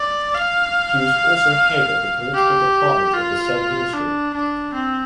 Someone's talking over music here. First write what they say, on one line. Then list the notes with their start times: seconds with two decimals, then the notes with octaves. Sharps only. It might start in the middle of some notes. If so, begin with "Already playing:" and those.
He was also head of the Political Department of the said Ministry.
Already playing: D5
0.34 F5
2.34 G4
3.14 F4
3.93 D4
4.34 D4
4.74 C4